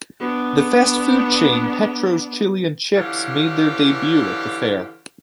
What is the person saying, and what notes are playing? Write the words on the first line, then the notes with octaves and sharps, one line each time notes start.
The fast food chain, Petro's Chili and Chips made their debut at the fair.
B3 D4
D3 E3 C#4 F4 G4 D5